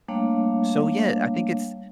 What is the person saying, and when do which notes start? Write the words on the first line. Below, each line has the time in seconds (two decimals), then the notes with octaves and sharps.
So, yeah, I think it's
0.08 G3 A3 A#3 D4 C#5 F5